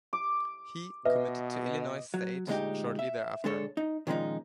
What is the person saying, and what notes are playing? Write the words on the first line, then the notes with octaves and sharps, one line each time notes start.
He committed to Illinois State shortly thereafter.
D6
B2 B4 D#5 E5
F#3
D2 A#2 G#3 D#4 G4
E5
D3 G#3 A4 C#5
D#4
A#2 D#3 F3 G#3 C#4 D#4